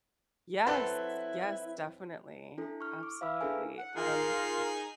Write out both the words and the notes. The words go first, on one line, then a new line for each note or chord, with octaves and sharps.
Yes. Yes, definitely. Absolutely. Um,
F#3 C4 E4 A4 B4 F#5 F#6
D4 E4 A4
C#6 F6
D6
E5 F5 B5 E6 F6
D4 E4 G#4 A4 B4 G#5
F#5
D#4 F4 G#4 A#4 C6